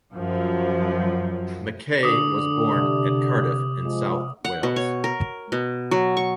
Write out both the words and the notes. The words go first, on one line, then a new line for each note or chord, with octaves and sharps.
Mackay was born at Cardiff in south Wales.
F#2 F3 F#3
D3 D6 D#6
C3
F3 G#3
F#5
B2
C#5
A#4
B2
F#3
C#6